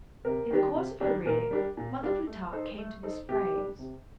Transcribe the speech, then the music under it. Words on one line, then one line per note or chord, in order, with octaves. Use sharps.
In the course of her reading, Mother Plutarque came to this phrase.
C3 A#4
D#3 G3 D4 G4
C3
D#3 G3 D4 G4
A#2 A#4
G3 D4 G4
A#2
G3 D4 G4
A3
D#4 A4 C5
A3
D#4 A4 C5
C3 G4
G3 D4
C3